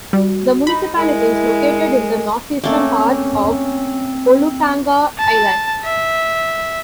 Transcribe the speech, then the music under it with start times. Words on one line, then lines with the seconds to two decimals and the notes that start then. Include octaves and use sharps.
The municipality is located in the northeastern part of Olutanga Island.
0.13 G3 F#4
0.67 D#4 B5
0.96 G#3 E4 A#4
2.64 A3 A#3 C4 C#4
5.18 A5
5.84 E5